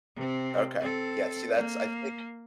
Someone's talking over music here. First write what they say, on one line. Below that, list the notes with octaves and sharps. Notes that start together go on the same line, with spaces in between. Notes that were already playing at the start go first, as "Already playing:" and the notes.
Okay, yeah, see, that's I think
C3 C4
C4 A4
A#3